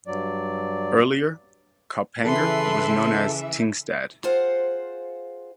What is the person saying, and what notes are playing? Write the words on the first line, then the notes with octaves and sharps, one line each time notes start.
Earlier, Kaupanger was known as Tingstad.
G2 F#3 D5
C#3 E3 A4 B4 E5 C6
F4 G#4 C5 F5 F#5